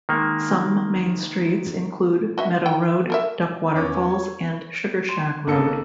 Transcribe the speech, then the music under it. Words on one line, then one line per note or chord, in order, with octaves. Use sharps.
Some main streets include "Meadow Road", "Duckwater Falls", and "Sugarshack Road".
D#3 G#3 A#3
F#4 D#5 E5
G5
A4 A#4 E5
E2 B3 C#4 D6
C#5
C6
G#1 A#3 A4 C#7